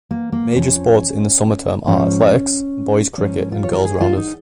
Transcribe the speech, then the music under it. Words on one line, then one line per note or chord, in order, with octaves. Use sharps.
Major sports in the summer term are athletics, boys' cricket and girls' rounders.
A#3
A#3
F2 F3 C#4
G#2 F3 C#4
G#2 F3 C#4
F4
C#5
A#4
G#4
F4
D#4